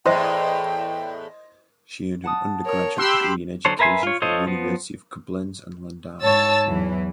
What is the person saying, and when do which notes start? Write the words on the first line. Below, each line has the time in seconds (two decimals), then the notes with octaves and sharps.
She earned an undergraduate degree in education from the University of Koblenz and Landau.
0.06 E2 A2 E4 C5 D#5 E5 G5 C6
2.24 F#5 A5 D#6
2.65 A#4 C#5
2.98 G4 G5 B5 C6 E6 F#6
3.65 D3 F#3 A4 C5 C#5
3.79 A#4 B4 E5 G#5 C6
4.03 F4 C#5
4.22 F4 A4 C5 C#5 D#5
4.47 F3 B3
6.23 G#2 C#5 A5 E6 A6
6.66 E2 E3 F#3